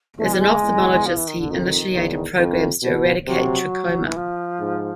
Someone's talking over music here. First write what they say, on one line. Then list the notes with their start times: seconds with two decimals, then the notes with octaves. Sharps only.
As an ophthalmologist, he initiated programs to eradicate trachoma.
0.17 E2 A3
0.25 G#3
0.33 G3
0.41 G#3
0.61 E2
1.06 F3
1.16 E3
1.28 D#3
1.39 D3
1.50 F2 D#3
1.94 E2
2.39 F2
2.82 B2
3.27 C3 F#3
4.05 E3
4.16 F3
4.60 G#2